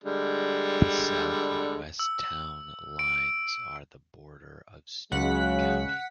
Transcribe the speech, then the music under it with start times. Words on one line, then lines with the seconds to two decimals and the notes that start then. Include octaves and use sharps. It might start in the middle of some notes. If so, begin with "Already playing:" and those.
The south and west town lines are the border of Steuben County.
0.04 D3 G3 G#3
1.99 E6
2.99 D7
5.12 C#2 C#3 F#3 G#3 F#5 B6